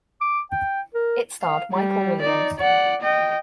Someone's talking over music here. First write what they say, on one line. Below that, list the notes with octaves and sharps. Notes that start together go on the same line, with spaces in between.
It starred Michael Williams.
D6
G5
A#4
F5
G3
D#4 D5
D5 F#5
D#5 G5